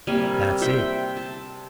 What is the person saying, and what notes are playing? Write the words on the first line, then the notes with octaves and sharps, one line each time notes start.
Dat's it.
C3 G3 A#3 G#5
C5 E5 G5
A5